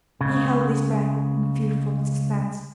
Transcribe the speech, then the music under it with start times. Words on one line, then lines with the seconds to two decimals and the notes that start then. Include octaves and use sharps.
He held his breath in fearful suspense.
0.21 C#2 C#3